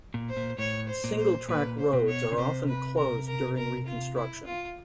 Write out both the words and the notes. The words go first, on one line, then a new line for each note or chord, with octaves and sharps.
Single track roads are often closed during reconstruction.
A#2
C5
A#2
A2 C#5
C5
A#2
C5
A#2 B4
C5
B2
C#5
C#3
C3 C5
B4
A#4
A#4
A#4
F4
E4
F4